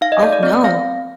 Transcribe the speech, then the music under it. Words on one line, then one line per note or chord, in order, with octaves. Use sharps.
Oh, no.
D#4 F5
D#5
A4 D5
D5
C4 D5
C4 F5